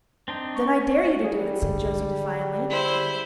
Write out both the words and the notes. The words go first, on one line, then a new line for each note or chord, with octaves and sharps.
"Then I dare you to do it," said Josie defiantly.
C4 D4 D#4
C#6
G3 G#4
D3
E4 C5